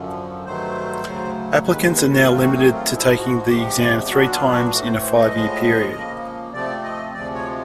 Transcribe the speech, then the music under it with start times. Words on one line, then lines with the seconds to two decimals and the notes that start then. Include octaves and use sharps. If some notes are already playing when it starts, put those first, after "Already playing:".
Applicants are now limited to taking the exam three times in a five-year period.
Already playing: F#2 D3 F3
0.45 G2 D#3 F#3 A3 C5
1.06 D2 C#3 F#3
1.66 D#2 D#3 G#3 B4
1.81 C5
1.97 B4
2.13 F#4
2.27 C3 D#3 F#3 A3 C4 F4
2.43 F#4
2.58 G#4
2.74 F4
2.88 G#2 F3 G#3 E4
3.18 F#4
3.49 E2 C3 F3 G#3 G4
4.10 A#2 F#3 B3 D4 F#4
4.23 F#4
4.31 F4
4.50 F#4
4.70 A2 E3 A3 F#4
4.85 C5
5.02 C5
5.16 D#5
5.31 A2 F3 G#3
5.92 C#3 F3 A#3
6.53 C3 F3 A3 C4 D5
6.83 D#5
7.14 D2 C3 F3 G#3 D5
7.34 C#5